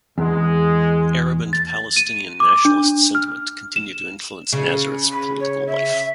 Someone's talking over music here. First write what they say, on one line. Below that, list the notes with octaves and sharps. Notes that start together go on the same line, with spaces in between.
Arab and Palestinian nationalist sentiment continue to influence Nazareth's political life.
E2 G#3
A6
D#7
D6
D4
F6
E7
C#3
B5
C#5
E5